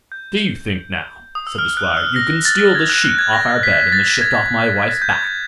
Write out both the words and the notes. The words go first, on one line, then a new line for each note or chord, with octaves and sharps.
'Do you think, now', said the Squire, 'you can steal the sheet off our bed, and the shift off my wife's back.
G6
D#6
E6
F6
F#6
E6
A#6
A6
G#6
F#6
F#6
G#6
A#6
B6
A6
G#6
G6
G#6